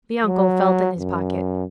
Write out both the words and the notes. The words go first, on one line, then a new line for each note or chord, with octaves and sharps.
The uncle felt in his pocket.
F#3
F#2